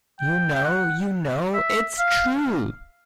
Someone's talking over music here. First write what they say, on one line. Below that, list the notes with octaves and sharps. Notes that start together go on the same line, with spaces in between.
You know, you know, it's true!
G5
G5
F#5
E5
F5